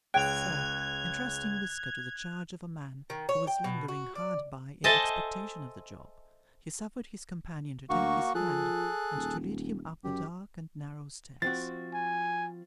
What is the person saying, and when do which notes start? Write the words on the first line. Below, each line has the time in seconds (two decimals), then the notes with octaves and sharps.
So, entrusting Whisker to the charge of a man who was lingering hard by in expectation of the Job, he suffered his companion to take his hand, and to lead him up the dark and narrow stairs.
0.14 C#2 G#4 C#5 G5 F#6 G#6 F7
3.10 D#3
3.29 C#5
3.47 G5
3.64 B2
3.88 F#4
4.15 D5
4.84 A4 C5 D#5 E5 G#5 A5
7.90 D2 A#3 F#4 C#6
8.35 F3 G#4 A4 F#6
9.16 D#1
10.04 F#2 G4
11.42 F3 C4 F#4 A6
11.94 G#5